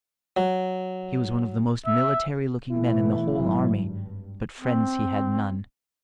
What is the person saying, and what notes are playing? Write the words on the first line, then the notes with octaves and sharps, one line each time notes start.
He was one of the most military-looking men in the whole army, but friends he had none.
F#3
E5
B2 E3 A3 E4
G#1 B2 F#3
G2
C4